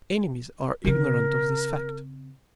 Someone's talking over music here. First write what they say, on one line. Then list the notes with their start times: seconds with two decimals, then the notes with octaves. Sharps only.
Enemies are ignorant of this fact.
0.85 C#3 C4 A#4